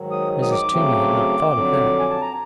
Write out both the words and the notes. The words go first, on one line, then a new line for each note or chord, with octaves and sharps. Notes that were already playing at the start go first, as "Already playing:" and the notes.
Mrs. Toomey had not thought of that.
Already playing: G#2 D#3 F#3
D#6
D#6
D6
C#3 F#3 A3 C4
F2 D3 F#3
G#5
A5
A#5